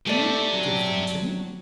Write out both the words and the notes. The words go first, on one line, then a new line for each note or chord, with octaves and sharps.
"Do you give them to me?"
C3 A3 D5 A5
F#3